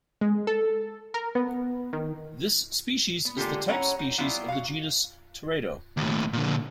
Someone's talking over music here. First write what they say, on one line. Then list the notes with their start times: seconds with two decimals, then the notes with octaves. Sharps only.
This species is the type species of the genus "Teredo".
0.21 G#3
0.47 A4
1.14 A#4
1.35 B3
1.93 D#3
3.25 B3
3.37 D3 G#3 A#3 F4 G4 A4
3.68 F#3 C#4 E4 C#5 F#5 A#5
3.99 D#4
4.18 F#3 G3 B3 C4 E4 F4
4.48 F#4 F5
5.97 D#2 A2
6.33 A#2 D3